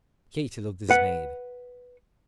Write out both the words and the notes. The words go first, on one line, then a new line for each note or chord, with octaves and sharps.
Katy looked dismayed.
B4 F#5